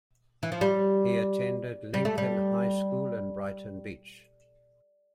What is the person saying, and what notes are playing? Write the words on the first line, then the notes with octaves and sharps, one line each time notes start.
He attended Lincoln High School in Brighton Beach.
E3
F3
G3
G3
A3
G3